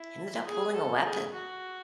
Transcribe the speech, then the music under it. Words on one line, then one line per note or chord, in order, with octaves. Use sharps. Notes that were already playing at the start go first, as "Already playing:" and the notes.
he ended up pulling a weapon.
Already playing: E4
G#4
A4
G#4
F#4